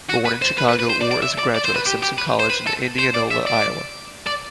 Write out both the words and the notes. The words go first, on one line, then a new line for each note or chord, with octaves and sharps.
Born in Chicago, Orr is a graduate of Simpson College in Indianola, Iowa.
F#4
B4
C5
B4
B4
B4
C5
D5
D5
E5
D5
D5
C5
B4
G4
G4
B4
C5
B4
A4
C5
D5
E5
D5
D5